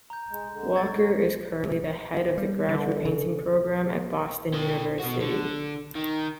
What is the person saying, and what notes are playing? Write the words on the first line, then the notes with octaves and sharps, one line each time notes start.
Walker is currently the head of the graduate painting program at Boston University.
A#5 G6
G#3
D3 G#3
C#6 G#6 A6
G3
D3
C#3
E4 G5
B2 F#4
D3
D#3